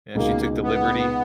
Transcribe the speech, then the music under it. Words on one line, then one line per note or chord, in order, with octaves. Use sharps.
Yeah, she took the liberty.
C#2 B2 G#3 A#3 D#4 G#4
B3